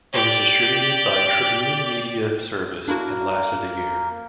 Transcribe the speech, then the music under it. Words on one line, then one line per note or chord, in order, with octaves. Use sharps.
It was distributed by Tribune Media Service and lasted a year.
G4 D5
A#3 D4 E4 F#4 A#4